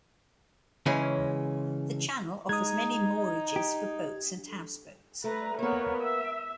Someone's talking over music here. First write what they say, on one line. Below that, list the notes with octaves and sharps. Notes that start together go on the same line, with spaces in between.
The channel offers many moorages for boats and houseboats.
C#3 E3 G#3 C#4
G#3 D#4 A#5 D#6 G#6
G4
A3 B4 A#5
A#3 B3 A#4 B4 C#5
E5